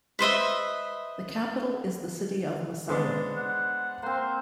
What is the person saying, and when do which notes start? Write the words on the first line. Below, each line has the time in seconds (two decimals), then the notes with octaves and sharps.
The capital is the city of Masaya.
0.19 B4 C5 D#5 E5
2.89 G#3 B3 D4 C5
3.36 F#5
4.03 A#3 C4 C5